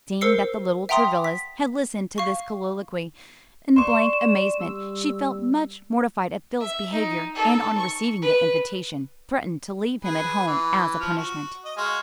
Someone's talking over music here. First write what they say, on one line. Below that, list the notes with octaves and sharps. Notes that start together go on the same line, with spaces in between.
Seeing that the little Travillas had listened to this colloquy in blank amazement, she felt much mortified at Phil's behavior, and on receiving the invitation threatened to leave him at home as a punishment.
A#4 C5 E6 C7 C#7
E5 F#5 G5 A#5 C6 D#6
B6
F5 C#6
D5 C6 C#6 E7
G3 E6
E5
D#4
D#4 A4
C#6
B4
G#4 B4
E3
F3 F6
F#4
D#5
G#3 F#4 F5